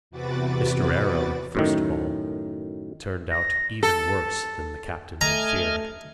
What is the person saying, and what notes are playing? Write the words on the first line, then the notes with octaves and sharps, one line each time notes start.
Mr. Arrow, first of all, turned out even worse than the captain had feared.
E2 C3 F#4 B4 D6 A6
F#2 A2 D#3
A#6
A4
A3 D#5 G#5 A#5 F6